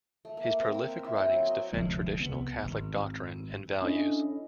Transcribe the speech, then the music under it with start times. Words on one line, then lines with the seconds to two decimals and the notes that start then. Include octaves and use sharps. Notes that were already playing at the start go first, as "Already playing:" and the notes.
His prolific writings defend traditional Catholic doctrine and values.
0.25 A3
0.37 A#3
0.60 C4
0.74 A#4
0.90 E5
1.04 E4
1.16 C4
1.33 F#3
1.46 D#5
1.73 F1 D2 F3 G#3
2.20 C2 B3
2.64 G#1
3.82 C#4 D4 E4 A4 D#5